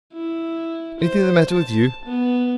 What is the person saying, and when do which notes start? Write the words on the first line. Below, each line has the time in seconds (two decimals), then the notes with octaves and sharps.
Anything the matter with you?'
0.13 E4
1.00 C5
1.49 A5
2.05 B3